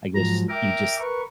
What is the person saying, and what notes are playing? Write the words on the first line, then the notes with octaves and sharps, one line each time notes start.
I guess you just
G#2 F3 F#3 A#5
A#4 E5 G5 D6
A#4 B4 C#6